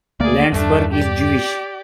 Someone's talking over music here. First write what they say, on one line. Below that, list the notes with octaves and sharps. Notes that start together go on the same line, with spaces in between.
Landsberg is Jewish.
D2 A3 A#3 G#4 D5
E2 G2 A3 D4
G4 D5